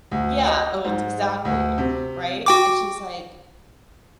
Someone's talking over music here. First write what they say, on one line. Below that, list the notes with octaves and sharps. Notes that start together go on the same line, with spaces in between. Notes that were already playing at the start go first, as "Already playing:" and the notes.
Yeah, oh, it's exactly, right? And she's, like
D2
D#5
G#2
D2
C3
F#4 G5 D6